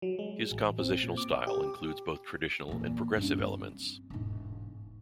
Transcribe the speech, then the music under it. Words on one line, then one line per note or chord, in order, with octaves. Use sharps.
His compositional style includes both traditional and progressive elements.
F#3
G#3
A1
C4
A#2
D6
G4
E2 A#2
G2 C#4
C4
E1 G#2